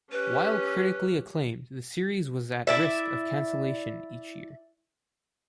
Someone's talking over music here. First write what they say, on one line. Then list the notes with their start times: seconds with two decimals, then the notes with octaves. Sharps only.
While critically acclaimed, the series was at risk of cancellation each year.
0.12 C#4 G4 B4
2.67 E4 D5 E5